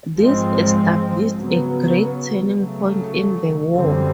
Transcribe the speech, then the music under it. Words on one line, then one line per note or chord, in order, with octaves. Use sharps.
This established a great turning point in the war.
G#2 F3 G#3 C4
C#3 F#3 B3
C#3 F#3 A3
F#2 D3 G3 C4